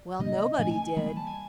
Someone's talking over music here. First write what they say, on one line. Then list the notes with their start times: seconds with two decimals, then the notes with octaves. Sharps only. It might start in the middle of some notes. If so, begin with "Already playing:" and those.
Well, nobody did.
Already playing: D5
0.19 C3 F3 A#3 D4 D#5
0.58 A#2 F3 A3 D4 G#5
0.71 G#5
0.84 G#5
0.97 E3 G3 A#3 B5
1.17 A5
1.27 G#5